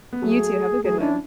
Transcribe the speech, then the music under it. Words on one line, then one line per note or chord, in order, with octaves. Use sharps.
You too, have a good one.
B3
F#3 A3 G#4
F#3 A3 G#4
C#4 D4 E4